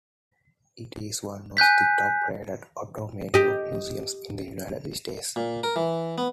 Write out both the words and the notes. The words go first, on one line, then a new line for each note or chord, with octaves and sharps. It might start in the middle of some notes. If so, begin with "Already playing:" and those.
It is one of the top-rated automotive museums in the United States.
G#5 F#6 G6 B6
G4 D#5
A#2
A#4
E3
B3